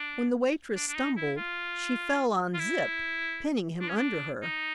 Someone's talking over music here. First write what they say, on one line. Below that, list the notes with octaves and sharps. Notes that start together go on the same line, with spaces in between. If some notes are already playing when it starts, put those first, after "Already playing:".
When the waitress stumbled, she fell on Zip, pinning him under her.
Already playing: D4
D4
D4
D#4
E4
F4
F4
E4
D4
C#4
D4
D#4